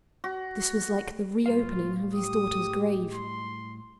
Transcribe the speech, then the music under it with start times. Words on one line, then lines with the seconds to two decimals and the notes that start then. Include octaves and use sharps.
This was like the reopening of his daughter's grave.
0.24 F#4
1.46 A2 G3 F4 F5
2.14 G4 D#6
3.14 C6